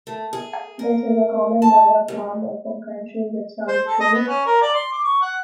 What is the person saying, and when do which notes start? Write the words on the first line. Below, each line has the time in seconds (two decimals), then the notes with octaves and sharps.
This is a common bird of warm open country with some trees.
0.07 A3
0.33 G#4
0.79 A#4
1.62 A5
2.08 F#2
3.68 C5
3.87 A4
4.00 D#5
4.13 B3
4.28 C#4
4.46 A#4
4.61 D5
4.74 C6
4.92 D6
5.04 C#6
5.21 F#5